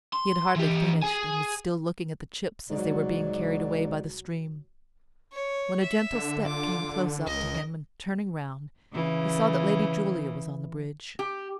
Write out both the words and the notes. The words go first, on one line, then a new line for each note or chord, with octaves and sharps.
He had hardly finished, and was still looking at the chips as they were being carried away by the stream, when a gentle step came close up to him, and turning round, he saw that Lady Julia was on the bridge.
C6
E3 G4
G#4 G#5
C2 G#2 F#3 D5
C#5
E5
D3
F4 D6
C#2 A#4 D#5
C#3 E3
G4